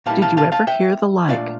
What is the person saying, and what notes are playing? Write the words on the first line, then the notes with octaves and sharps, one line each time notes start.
Did you ever hear the like?
A#2 G3 A#3 E4 F5 A5
F5 A5
F5 A5
F5 A5
E5 G5
A#2 A3 D4 F4 D5 F5